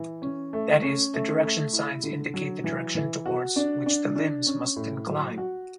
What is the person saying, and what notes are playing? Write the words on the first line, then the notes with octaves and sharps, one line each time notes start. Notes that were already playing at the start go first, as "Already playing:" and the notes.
That is, "the direction signs indicate the direction towards which the limbs must incline".
Already playing: E3
C#4
A3
C#4
A3
A3
E4
D3
F#3
E3
E3
F#4
D4
D4
D4
C#4
A2
F#3
F#4